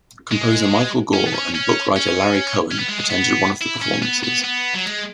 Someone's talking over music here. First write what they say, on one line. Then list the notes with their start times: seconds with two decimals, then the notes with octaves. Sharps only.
Composer Michael Gore and book-writer Larry Cohen attended one of the performances.
0.31 G#3
1.13 C#4
1.27 B3
1.34 C#4
1.55 C#4
1.96 C#4
2.72 C#4
2.79 B3
2.89 G#3
3.00 G#3
3.10 B3
3.62 E4
3.82 C#4
4.02 B3
4.24 B3
4.44 B3
4.74 F#3
4.86 G#3